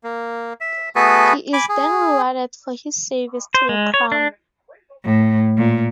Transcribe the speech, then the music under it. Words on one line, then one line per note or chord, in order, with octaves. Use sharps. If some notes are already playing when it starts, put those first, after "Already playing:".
He is then rewarded for his service to the crown.
A#3
E5
A3 B3 F#4 G#4 A4 B4
G#5 B5 D6
G#4
C5
G#3
C#5
D4
A2
A#2